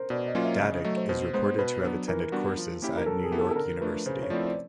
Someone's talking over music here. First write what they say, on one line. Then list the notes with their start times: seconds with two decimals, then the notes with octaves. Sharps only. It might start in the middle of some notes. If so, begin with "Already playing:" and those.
Dadak is reported to have attended courses at New York University.
Already playing: A#4 C5
0.10 B2 D5
0.27 D#5
0.35 F#3 A#3 C#4 F4
0.44 E5
0.59 C#3 D#5
0.72 D#5
0.84 F#3 A3 D#5
0.97 C5
1.09 B2 C5
1.33 G#3 B3 C5
1.58 B2 B4
1.83 F#3 B3 D4
2.08 E3 A#4
2.32 G3 B3 D4 F#4
2.57 F3
2.82 A#3 C#4 E4 G4
2.97 A#4
3.06 F#3 A4
3.24 G#4
3.32 B3 E4 G4
3.39 A4
3.51 A4
3.56 D3 A#4
3.81 F3 A3 D4 B4
4.06 C#3 C5
4.22 C#5
4.30 F3 A3 C4 E4 D5
4.45 D5